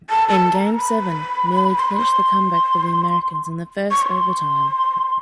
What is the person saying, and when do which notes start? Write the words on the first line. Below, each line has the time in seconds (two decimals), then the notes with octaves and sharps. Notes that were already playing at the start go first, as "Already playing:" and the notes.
In game seven, Milley clinched the comeback for the Americans in the first overtime.
0.10 A5
0.29 A5
0.54 A#5
0.79 B5
1.78 C6
1.87 B5
1.98 C6
3.91 C#6
4.01 C6